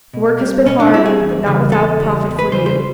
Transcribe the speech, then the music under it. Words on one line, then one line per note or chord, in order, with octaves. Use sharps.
The work has been hard, but not without profit for you.
B2
G3 C4
B2 C#4
D4
G3 C4 E4
G#4
E2
C#3 E3 G3
E2 A4
C#3 E3 G3
E2
B4
C#3 E3 G3 C5
C5